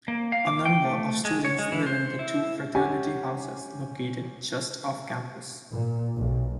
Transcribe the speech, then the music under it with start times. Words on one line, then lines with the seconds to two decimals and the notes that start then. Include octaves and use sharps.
A number of students live in the two fraternity houses located just off-campus.
0.08 A#3
0.32 F5
0.47 D6
0.65 G5
0.85 A3
1.25 G#3
1.45 C#5
1.59 G#3
1.72 E3
1.86 C5
2.19 E4
2.75 C#4 G4 F#5 G#5
5.71 A#2
6.16 B1